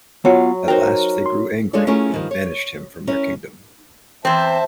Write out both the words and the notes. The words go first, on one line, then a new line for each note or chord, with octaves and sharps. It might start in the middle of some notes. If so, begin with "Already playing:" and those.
At last they grew angry and banished him from their kingdom.
F#3 B3 F4 F#5
D#4 F#4 A#4 C5 G5
C6
G#3 D4 F4 A4 C#5 D5
A3 C#4 E4 F4 G#4 A#4
G2 D#3 F3
C#5
C#4 E4 A#4 C#5
E2 C4 C5 E5 A5